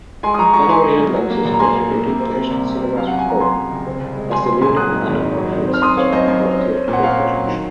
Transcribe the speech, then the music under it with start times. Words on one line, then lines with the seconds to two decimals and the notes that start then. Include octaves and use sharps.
Panavision lenses gradually replaced CinemaScope as the leading anamorphic system for theatrical projection.
0.23 G#3 G#5 C6
0.34 D#6
0.38 F3 A#5 C#6
0.53 G#3 A#5 C#6
0.69 D#4 G#5 C6
0.84 D#4
0.99 F#2
1.14 F#3
1.30 A#3
1.45 A#1
1.54 A#5
1.59 A#3 G#5 C6
1.75 A#3
1.90 A#3
2.05 C3
2.19 C4
2.35 C3
2.50 C2
2.65 C3
2.80 C3
2.95 F#2 F5
3.07 F#2 F#5
3.19 G#5
3.25 F3 A#5
3.40 F#2 G#5 C6
3.56 F#2
3.71 F#1
3.86 C4
4.01 C2
4.16 G#3
4.31 C2 G#5 C6
4.46 C4 G#5 C6
4.61 A#2 G#5 C6
4.76 F#3 D#6 F#6
4.92 G#2
5.07 G#1
5.21 D#3
5.38 F#3
5.53 D#3
5.67 C4
5.74 F6
5.82 F#2 C6 D#6
5.97 C4 C#5 F5
6.13 F#2 C5 D#5
6.28 F#2
6.43 C4
6.58 C#4
6.73 C#4
6.88 A#2
6.93 F#5
7.03 A#2 C#5 F5
7.18 C#4
7.33 F#3
7.48 D#3